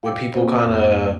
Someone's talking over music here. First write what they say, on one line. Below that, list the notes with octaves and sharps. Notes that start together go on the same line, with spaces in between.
when people kinda
F5 G5 D6 E6
A#3 C4 F#4 C5
F2